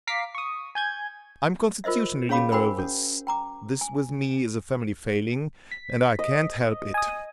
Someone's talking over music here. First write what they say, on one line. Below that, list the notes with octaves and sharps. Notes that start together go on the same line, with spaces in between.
I am constitutionally nervous--this, with me, is a family failing, and I can't help it.
F5 A#5 D6 B6 C7
C#6 D#6
G#5 G6 G#6
F4 A#4 C5 D#5 E5
C#4 G#4 C#5 F5 B5 D6
F#4 A#4 C5 G5 G#5 B5
C#4
G5 A#5 D6
G#5
B6
D#5
G#5 D#6